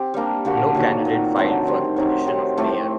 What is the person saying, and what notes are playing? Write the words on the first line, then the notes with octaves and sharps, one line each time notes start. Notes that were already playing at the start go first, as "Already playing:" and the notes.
No candidate filed for the position of mayor.
Already playing: C4 G4
G3 A#3 D4
D3 G3 A#3 F#4
D#3 F#3 A#3 F#4
A#2 F#3 C4
D3 F#3 A3 C4
D#3 G3 C4
F#3 C4 D#4 G4
F#3 C4 G4
A2 A3 C4 G4